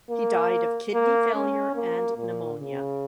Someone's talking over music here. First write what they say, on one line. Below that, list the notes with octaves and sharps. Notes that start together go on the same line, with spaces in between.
He died of kidney failure and pneumonia.
A#3
A#3
C#4
A#3
A#2
C#3